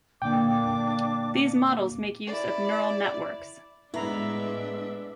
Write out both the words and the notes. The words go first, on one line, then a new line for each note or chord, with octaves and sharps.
These models make use of Neural networks.
A#2 D3 A#3 D4 G5 D6
E4 D5
A2 G#3 B3 D4 E4 B4 E5 A#5